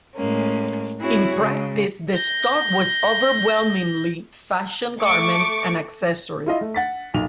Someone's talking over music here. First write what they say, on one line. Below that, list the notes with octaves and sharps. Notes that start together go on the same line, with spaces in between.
In practice, the stock was overwhelmingly fashion garments and accessories.
A2 G#3 A#3 C#4
C4 E4 F#4 G#4 C#5
C#3 G#3
G6 A#6
A3 C#6 D6
E4 F4 D#5
A3
F#5 A6 B6
B1 A#2 F7